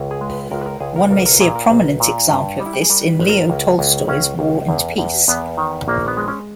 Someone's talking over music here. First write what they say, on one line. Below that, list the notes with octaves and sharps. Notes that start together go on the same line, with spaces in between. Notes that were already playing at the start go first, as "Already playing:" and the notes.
One may see a prominent example of this in Leo Tolstoy's "War and Peace".
Already playing: C#2
G#4
G#3
B4
C#2 A#4
B4
A#4
C#2 G#4
A#4
B1 A#4
A#4
A#2 G#4
A#4
B1
A#2
G2
G3 D#4
E4
G4
G#4
G3 A#4
B4
G#1
A#4
C#2
C#2
C#2 C#4
C#2
E2
E2
E2 B3
D#3
A#1 A#3
B3
G#3
C#4